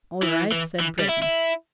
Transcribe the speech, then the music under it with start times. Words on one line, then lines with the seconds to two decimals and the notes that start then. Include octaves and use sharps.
"All right," said Breton.
0.23 E3
0.52 E3
0.80 E3
0.99 G3
1.09 E4
1.22 E4